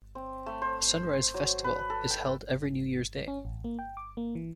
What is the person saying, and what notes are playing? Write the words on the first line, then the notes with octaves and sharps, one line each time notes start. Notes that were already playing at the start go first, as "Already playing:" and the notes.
A sunrise festival is held every New Year's Day.
C4
A3
C5
F#3
B4
A4
G5
C#4
A1
A#3
G5
D6
A#3
E3